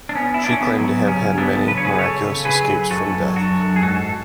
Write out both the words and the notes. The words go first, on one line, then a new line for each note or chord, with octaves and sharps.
She claimed to have had many miraculous escapes from death.
D4
B3 C#4
E4
B3 D4
C#4
B3
F#3
C#3 C#4
F#3 B3 D4
C#3 B4
C#5
G#4 B4
C#3 A4 C#5
C#3
G#4 B4
F#3
F#2 F#4 A4
F#3
D4 F#4
F#2
G#4
G#2 F#4 A4